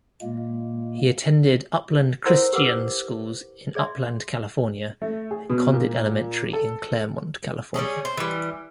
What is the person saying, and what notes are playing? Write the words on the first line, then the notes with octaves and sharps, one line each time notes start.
He attended Upland Christian Schools in Upland, California and Condit Elementary in Claremont, California.
A#2 G#3 A#3
E4 A4 A#4 C5 F#5 C6
G4 A#4 B4 F#5 D6 E6
G#4 D5 E5 C6
A3
G#4
B2
A#2
A4
G3 A3 C#4 G#4
C5
E3 G3